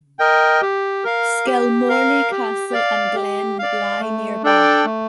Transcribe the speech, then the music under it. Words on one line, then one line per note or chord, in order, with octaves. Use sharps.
Skelmorlie Castle and glen lie nearby.
A#4 D#5 G5
G4
A#4 F5
G4
A#4 F5
G4
D5 F5
G4
D5 F5
A3
D4 A4 D5 G5
A3